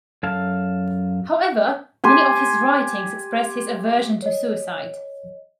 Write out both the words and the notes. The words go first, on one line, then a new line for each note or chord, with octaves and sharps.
However, many of his writings express his aversion to suicide.
F#2 A4 F5 A5
G4 G#5 C6
C#5 D#5